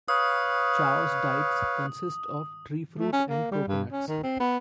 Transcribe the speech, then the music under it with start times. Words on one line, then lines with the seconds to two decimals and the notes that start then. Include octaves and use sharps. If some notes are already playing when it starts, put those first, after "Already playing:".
Chao's diets consist of tree fruit and coconuts.
0.08 B4 C#5 F5 D#6
2.99 A3
3.13 C#4
3.30 A#3
3.52 G3
3.68 G2
3.92 C#4
4.08 D#3
4.24 C4
4.40 B3